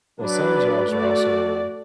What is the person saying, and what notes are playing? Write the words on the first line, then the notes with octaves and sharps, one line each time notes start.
well, some jobs are also
F#3 D4 B4 D5
A3 F#4 D5